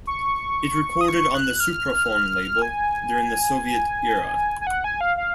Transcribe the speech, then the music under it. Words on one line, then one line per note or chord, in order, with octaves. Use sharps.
It recorded on the Supraphon label during the Soviet era.
C#6
D#6
C#6
F#6
F6
G#5
G#5
F#5
G#5
F5
F5